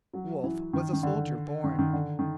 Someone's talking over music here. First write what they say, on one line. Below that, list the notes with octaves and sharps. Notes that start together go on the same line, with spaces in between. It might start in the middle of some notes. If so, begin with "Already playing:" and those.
Wolfe was a soldier born.
F#3
E3
D#3
D#3
D3
D#3
D#3
D3
D#3